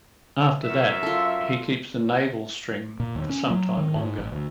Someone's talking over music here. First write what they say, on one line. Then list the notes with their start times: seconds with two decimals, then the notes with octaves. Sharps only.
After that, he keeps the navel-string for some time longer.
0.64 F#2 E5
1.03 F4 A4
3.00 A#2
3.15 D#2
3.29 C#4
3.50 F#3
3.77 D#3
3.95 G#2
4.18 A1
4.32 D2